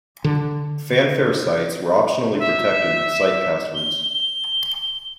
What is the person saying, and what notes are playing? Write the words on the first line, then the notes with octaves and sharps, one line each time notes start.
Phanfare sites were optionally protected with site passwords.
D3
E5
G7